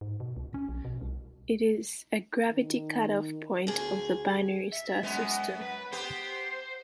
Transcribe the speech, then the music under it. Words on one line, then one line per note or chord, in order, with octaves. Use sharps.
It is a gravity cut-off point of the binary star system.
G#2
B2
C#2
C#4
A#1
B2
C2
D#3
D2 G#4
E5
F#2 G#3 B3
B4
B3 G4 C5